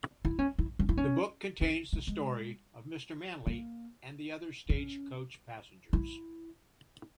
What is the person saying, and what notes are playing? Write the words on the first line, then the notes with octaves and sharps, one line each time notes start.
The book contains the story of Mister Manly and the other stage coach passengers.
E4
C#4
E4
C#4
E4
C#4
C#4
G#3
G#3
A#3
C#4
E4